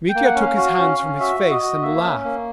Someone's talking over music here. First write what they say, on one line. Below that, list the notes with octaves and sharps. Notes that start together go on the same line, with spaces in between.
Mitya took his hands from his face and laughed.
G5
A#3
F#5
C#4
F5
F#4
C#4
C#4
F#4 E5
F#4
D#5
F#4
A#3 E5
C#4
A#3